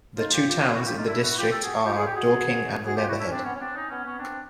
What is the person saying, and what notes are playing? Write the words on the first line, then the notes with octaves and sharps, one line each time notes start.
The two towns in the district are Dorking and Leatherhead.
D#4 F4
F4 G4
F4 G4
F#4 G#4
E4 F#4
F4 G4
D#4 F4
D4 E4
E4 F#4
F4 G4
G4 A4
F#4 G#4
F4 G4
G#4
G4
F#4 G#4
F#4 G#4
F4 G4
E4 F#4
D4 E4
C#4
C4 D4
B3 C#4
C#4
C4 D4
C#4 D#4
B3 C#4
B3 C#4
C4 D4